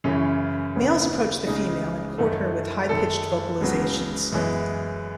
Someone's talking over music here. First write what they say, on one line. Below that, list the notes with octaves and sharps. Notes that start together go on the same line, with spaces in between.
Males approach the female and court her with high pitched vocalizations.
F#2 C#3 E3 C#4
D#2 C#3 F#3 B3
C#2 C#3 G#3 D#4
F#2 D#3 A3
F#2 D#3 G#3 A4
C#2 C#3 F#3 B3
F#2 E3 G#3 B3